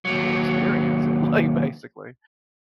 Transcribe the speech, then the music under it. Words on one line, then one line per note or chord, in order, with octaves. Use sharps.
yeah, experience it, like, basically
D#2 F#3